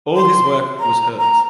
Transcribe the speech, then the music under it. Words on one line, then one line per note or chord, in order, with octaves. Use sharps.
All his work was hers.
C6
A#5
A#5